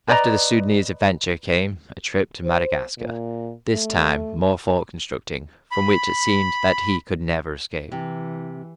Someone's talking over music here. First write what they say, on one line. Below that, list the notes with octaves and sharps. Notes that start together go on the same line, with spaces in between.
After the Soudanese adventure, came a trip to Madagascar--this time, more fort constructing, from which it seemed that he could never escape.
B4 D5 D#5 A#5
C5
A#2
A3
B5
C3 E3